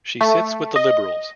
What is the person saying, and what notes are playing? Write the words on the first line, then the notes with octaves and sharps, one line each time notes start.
She sits with the Liberals.
A3
D#5